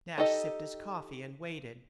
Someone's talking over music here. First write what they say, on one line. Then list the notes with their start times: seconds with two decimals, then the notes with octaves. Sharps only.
Nash sipped his coffee and waited.
0.18 D#4 G4 A4 D#5